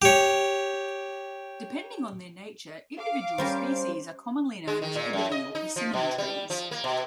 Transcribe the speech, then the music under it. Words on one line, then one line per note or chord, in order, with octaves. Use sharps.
Depending on their nature, individual species are commonly known as ebony or persimmon trees.
G4 C#5
F5 D6
G3 C#4 A#4 C5
G#3
D#3
A#2
F#2
D#5
D#4
F3
B2
G3
F3
A#3
B2